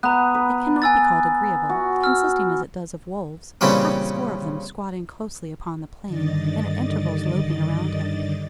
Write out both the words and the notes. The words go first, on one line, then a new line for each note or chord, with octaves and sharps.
It cannot be called agreeable;--consisting as it does of wolves--half a score of them squatting closely upon the plain, and at intervals loping around him.
B3 A#5 F#6
B4
G#5 E6 A6
F#4
E6 F6
A#2 C#3 E3 G3 C4 C#4
G2 D3 D#3 D5 D#5 A6